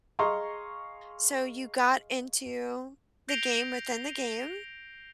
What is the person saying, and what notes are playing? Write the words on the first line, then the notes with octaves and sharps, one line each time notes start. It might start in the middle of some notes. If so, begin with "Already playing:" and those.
So, you got into the game within the game.
G#4 D#5 F5 A#5 C6 C#6
G6 A#6 C7 D7 F7 G7